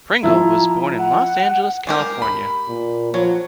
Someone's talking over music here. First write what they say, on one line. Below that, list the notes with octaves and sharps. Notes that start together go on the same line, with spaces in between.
Pringle was born in Los Angeles, California.
F3 E4 A#5
F#5
G#3 G4 A#4
B5
A#2
F3 F#3